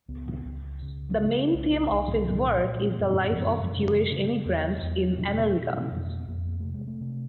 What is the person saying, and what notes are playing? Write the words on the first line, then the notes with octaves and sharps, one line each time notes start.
The main theme of his work is the life of Jewish emigrants in America.
C#2 B3
C#2
C#3
C#3
C2 C4
C2
A#2
A#2
A#3
F#2
B3
C4
F#2 B3
C#3 C#4
C#3
E2
E2
B2 C4
C4
B3
B2 C4
C#4
F2 C4
A#3
B3
F2 A#3
A#3
C3 A3
G#3
A3
C3